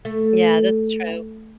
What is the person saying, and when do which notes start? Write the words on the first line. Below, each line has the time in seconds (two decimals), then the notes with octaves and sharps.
Yeah, that's true.
0.05 A3